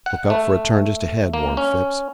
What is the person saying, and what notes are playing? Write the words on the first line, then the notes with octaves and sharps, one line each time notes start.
"Look out for a turn just ahead," warned Phipps.
F#5
A3
A#3
C#4